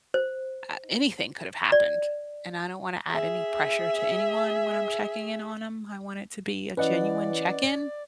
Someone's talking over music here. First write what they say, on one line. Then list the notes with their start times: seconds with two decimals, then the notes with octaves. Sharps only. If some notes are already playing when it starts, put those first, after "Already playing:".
a anything could've happened, and I don't want to add any pressure to anyone when I'm checking in on 'em. I want it to be a genuine check-in,
0.14 C5
1.72 D5
3.11 G#4 E5
6.77 E3 C#4 B4 D5 D#5 F#5